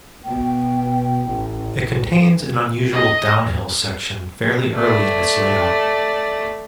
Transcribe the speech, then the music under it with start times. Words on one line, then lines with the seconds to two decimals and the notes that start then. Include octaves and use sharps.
It contains an unusual "downhill" section fairly early in its layout.
0.24 B2 G5
1.25 A1
2.92 D#5
4.74 A3 D5